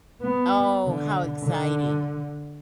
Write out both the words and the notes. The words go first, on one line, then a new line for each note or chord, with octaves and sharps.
Oh, how exciting,
B3
D3
D3